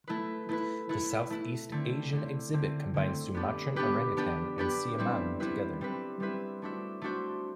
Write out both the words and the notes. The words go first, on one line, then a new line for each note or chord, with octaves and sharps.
The South East Asian exhibit combines Sumatran orangutan and siamang together.
A3 E4 B4
A3 E4 B4
A3 E4 B4
A3 E4 B4
D3 A3 C4
D3 A3 C4
D3 A3 C4
D3 A3 C4
B3 D4 G4 B4
B3 D4 G4 B4
B3 D4 G4 B4
B3 D4 G4 B4
G3 C4 E4 B4 E5
G3 C4 E4 B4 E5
G3 C4 E4 B4 E5
G3 C4 E4 B4 E5
A3 D4 F#4 C5 E5
A3 D4 F#4 C5 E5